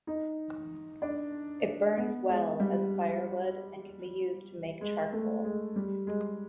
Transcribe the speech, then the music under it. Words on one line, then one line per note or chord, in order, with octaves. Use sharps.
It burns well as firewood and can be used to make charcoal.
D#4
D4
B3
G#3
G3
G#3
A3
G#3
G3
G#3